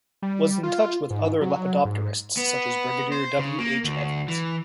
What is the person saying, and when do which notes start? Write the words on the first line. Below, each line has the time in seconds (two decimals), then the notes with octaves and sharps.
Was in touch with other lepidopterists such as Brigadier W. H. Evans.
0.22 G3
0.63 F4
1.10 G#2
1.41 F#3
1.85 G#2
2.37 B3
3.12 C5
3.39 C#3
3.59 A#3
3.84 D2
4.28 E3